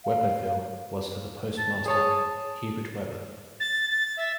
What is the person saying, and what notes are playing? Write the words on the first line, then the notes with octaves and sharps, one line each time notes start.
Webberville was for the postmaster Hubert Webber.
F5
A5
G#4 C#5 A5 D#6
A6
A6
E5